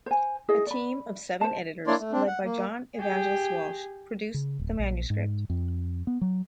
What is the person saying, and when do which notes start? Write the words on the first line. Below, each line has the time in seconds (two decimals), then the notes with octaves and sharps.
A team of seven editors led by John Evangelist Walsh produced the manuscript.
0.06 C5 G#5
0.48 E4 G#4 D#5
0.67 D5 B5
1.41 C5 A5
1.87 A#3 D4 E4 C#5 D5 C6
1.99 A3
2.12 C4 D4
2.27 F#5
2.44 A#3
2.98 G4 G#4
4.34 C#3
4.59 D1
4.79 A#1
5.10 G#2
5.50 F2
6.07 B3
6.21 F#3